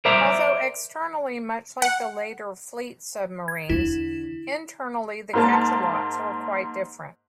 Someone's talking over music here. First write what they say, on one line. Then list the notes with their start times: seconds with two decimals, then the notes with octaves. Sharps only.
Although externally much like the later "fleet submarines," internally the "Cachalot"s were quite different.
0.05 A#4 C5 D5 E5 A#5
1.82 F#5
3.48 G#6
3.69 E2 D3 E4
5.33 G#2 A#3 A5